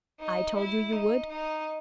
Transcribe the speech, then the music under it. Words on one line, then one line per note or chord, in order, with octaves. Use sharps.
"I told you you would."
D#4
E4
D#4
D#4